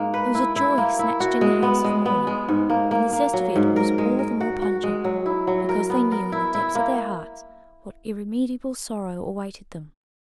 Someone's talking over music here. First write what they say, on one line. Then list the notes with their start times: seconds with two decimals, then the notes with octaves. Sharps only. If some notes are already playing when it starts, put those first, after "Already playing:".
It was a joy snatched in the house of mourning, and the zest of it was all the more pungent, because they knew in the depths of their hearts what irremediable sorrow awaited them.
Already playing: G#2 G#3 A#3
0.14 B4
0.35 E4
0.56 E4
0.78 A#3
0.99 E4
1.20 F#4
1.41 G#3
1.63 B3
1.84 G#3
2.06 B3
2.27 G#3
2.48 G#2
2.70 A#3
2.91 A#3
3.13 A#3
3.33 F#3
3.56 G#2
3.76 A#4
3.98 G#3
4.19 A#4
4.41 F#4
4.62 F#4
4.83 G#3
5.04 F#3
5.26 E4
5.47 F#3
5.69 A#4
5.90 B3
6.12 A#4
6.32 E4
6.55 E4
6.75 A#3